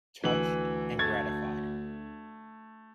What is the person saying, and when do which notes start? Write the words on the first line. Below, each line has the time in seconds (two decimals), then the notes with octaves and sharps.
Touched and gratified.
0.24 D2 E3 F#7
0.99 A3 G#6 A6